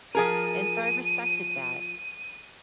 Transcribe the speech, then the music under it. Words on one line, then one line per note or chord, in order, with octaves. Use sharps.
and so I respected that,
F3 G#4 A#4 D#7